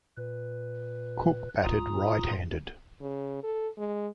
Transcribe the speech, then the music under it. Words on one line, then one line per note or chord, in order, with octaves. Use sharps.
Cook batted right handed.
A#2 B4
C#2 F4 A#5 D#6
A2
C#3
A4
G#3